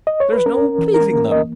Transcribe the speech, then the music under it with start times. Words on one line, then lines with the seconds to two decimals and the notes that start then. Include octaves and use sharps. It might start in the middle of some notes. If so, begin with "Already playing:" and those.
There's no pleasing them!'
0.07 D#5
0.20 C#5
0.32 B4
0.46 C#4 A#4
0.78 E3
0.94 A#4
1.09 A#3
1.32 D#5